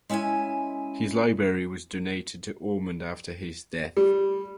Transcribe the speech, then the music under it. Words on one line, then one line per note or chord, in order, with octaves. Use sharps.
His library was donated to Ormond after his death.
G#3 C#4 E4 E5 G#5
G3